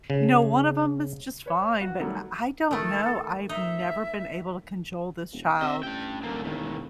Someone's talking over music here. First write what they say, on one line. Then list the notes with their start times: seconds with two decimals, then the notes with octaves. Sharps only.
you know, one of 'em is just fine," but I I don't know, I've never been able to cajole this child
0.10 C#3
1.46 B4 C#5
1.81 F#4 F#5
2.00 D#3 F#3 G3 A3
2.71 D#3 A3 A4
3.49 D#4 E5
5.32 E1
5.61 C3 D#5 E5
5.83 A1 D4 G5
6.23 D#1 D3 A#3
6.44 E1 A2 D#3